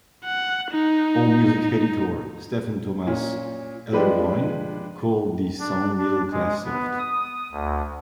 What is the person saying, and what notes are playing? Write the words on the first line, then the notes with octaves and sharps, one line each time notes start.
AllMusic editor Stephen Thomas Erlewine called this song middle-class soft.
F#5
D#4
A#2 C#4
F3 G#3 D4 G4 B4
D4
D4
G#3
B3
D#6
D2